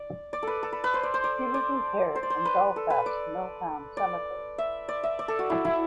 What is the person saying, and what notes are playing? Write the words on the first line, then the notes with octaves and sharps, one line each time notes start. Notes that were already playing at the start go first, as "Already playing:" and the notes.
He was interred in Belfast's Milltown Cemetery.
Already playing: D5
D5
A4 B4
A4
B4
B4
C5
D5
C5
D5
D5
C5
D5
C5
B4
A4
B4
D5
D5
E5
D5
E5
D5
A4
F#4
E4
E4